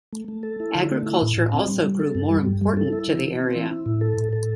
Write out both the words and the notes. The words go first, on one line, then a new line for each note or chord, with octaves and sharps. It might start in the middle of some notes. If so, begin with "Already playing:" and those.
Agriculture also grew more important to the area.
A3
A3
A4
E4
D3
A3
E4
A2
A2
C4
G3
G3
A4
G2
G3
G2
G3
A4
E4
E3
E3
C4
E4
E4
A2
A4
A2
A4